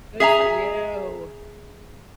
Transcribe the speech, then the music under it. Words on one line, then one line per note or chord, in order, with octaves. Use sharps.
Good for you.
G#4 E5 G#5 A#5